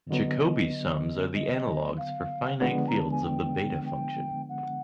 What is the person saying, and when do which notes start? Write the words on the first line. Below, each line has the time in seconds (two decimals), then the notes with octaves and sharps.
Jacobi sums are the analogues for finite fields of the beta function.
0.10 D3 F#3 B3 D#5
1.35 D#5
1.98 F5
2.61 D3 F3 G#3 B3 D4 F#5
2.88 A#5
2.99 A5
3.11 G#5
3.23 G5
3.86 G5
4.49 F#5